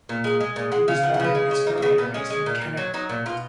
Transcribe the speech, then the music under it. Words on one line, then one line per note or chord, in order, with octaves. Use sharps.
He was born in Pittsburgh and raised in Canada.
A#2
G#3
G#3
A#2
G#3 F#5
C#3 F5
F3 F#5
F#5
C#3 B4
G#3
C#3
F3 D#4
A#3
C#3 B3
A#2 B3
G#3 C#4
G#3
A#2
A#2
F#3
F#3 D#4
A#2
B2 F4